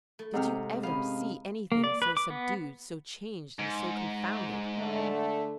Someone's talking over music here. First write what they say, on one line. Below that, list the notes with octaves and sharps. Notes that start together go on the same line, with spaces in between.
Did you ever see anything so subdued, so changed, and so confounded?
A3
G#2 C3 F6
B3 C#4 F5
A#3
D5
B4
D6
B3
G#2
D3 A3